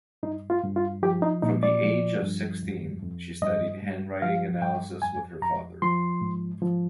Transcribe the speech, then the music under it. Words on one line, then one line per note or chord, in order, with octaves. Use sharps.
From the age of sixteen she studied handwriting analysis with her father.
G2 D#4
F4
G2
F4
F3 G4
D#4
A#2 D#4
D5
F3
G2
F2
F2
G2 D#5
G2
F3 F5
G2 G5
F2 G#5
F2 A#5
F3 C6
G#2
F3